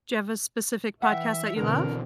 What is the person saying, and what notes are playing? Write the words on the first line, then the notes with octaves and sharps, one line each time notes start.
Do you have a specific podcast that you love?
E3 E5 F#5 G5
B2 D3 E3 C4 A#4